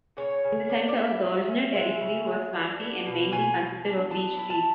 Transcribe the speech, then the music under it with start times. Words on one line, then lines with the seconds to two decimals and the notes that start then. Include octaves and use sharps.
In the centre, the original territory was swampy and mainly consisted of beech trees.
0.17 C#3 C#5
0.44 C#3
0.69 D4
0.88 D5
0.96 E4 E5
1.23 F#3
1.48 C#4
1.75 G#3 E5
2.01 C#3
2.27 G#3
2.53 D4
2.80 B3
3.06 B2
3.32 B2 G#5
3.59 B2
3.85 D4
4.10 B3 A5
4.38 E4
4.50 A5